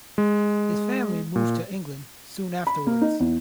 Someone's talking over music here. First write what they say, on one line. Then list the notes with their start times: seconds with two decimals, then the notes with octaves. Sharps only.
His family moved to England soon afterwards.
0.18 G#3
1.36 A#2
2.67 B5
2.87 A#3
3.01 D#4
3.20 E2